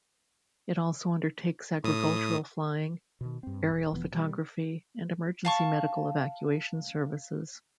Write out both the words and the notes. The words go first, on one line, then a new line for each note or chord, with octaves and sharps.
It also undertakes agricultural flying, aerial photography and emergency medical evacuation services.
A2 D#6
B2 D#3
G2 C4
D#1
E1 E3 F3 B3
B2 G3
F5 A5 C#6